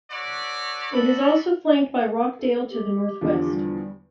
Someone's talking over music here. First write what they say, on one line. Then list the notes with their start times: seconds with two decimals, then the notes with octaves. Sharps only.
It is also flanked by Rockdale to the northwest.
0.11 F#4 A4 B4 C#5 D5
0.92 B3 F#4 A4 D5 B5
2.39 A4
2.70 G4
3.21 E2 D3 F3
3.52 G3